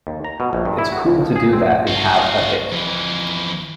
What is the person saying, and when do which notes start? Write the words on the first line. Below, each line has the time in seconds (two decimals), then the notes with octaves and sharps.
It's cool to do that and have a hit.
0.07 D#2
0.24 A#5
0.40 B2
0.53 A#1
0.65 G2
0.78 E4
0.92 F#4
1.06 C#2
1.21 F3
1.36 G#4
1.53 C4
1.87 F4 F#4
2.72 F2 E3